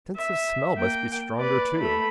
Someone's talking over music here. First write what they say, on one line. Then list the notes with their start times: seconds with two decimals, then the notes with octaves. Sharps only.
Sense of smell must be stronger too.
0.16 E5
0.75 A#3 G5
1.37 B4 D5
1.78 A3 B5